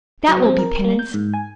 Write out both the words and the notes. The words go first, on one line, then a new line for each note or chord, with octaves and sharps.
THAT will be penance.
F#3
C4
A#4
A#3
G6
G#2
G#5